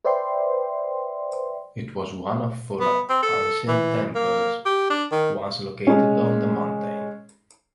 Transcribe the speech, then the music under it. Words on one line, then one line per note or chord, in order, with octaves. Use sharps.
It was one of four ancient temples once located on the mountain.
B4 C5 D5 E5 G5 C6
B3
C4
A4
E3
A#3
G4
D4
D#3
G#3 C#4